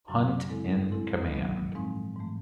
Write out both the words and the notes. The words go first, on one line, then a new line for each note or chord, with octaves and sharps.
Hunt in command.
F#2 C#3 F#3
G#3 C4 E4 A4
G#3 C4 E4 A4
G2 D#3 F#3 B3 D4
A2 F3 G#3 C4 D#4
G#2 E3 A3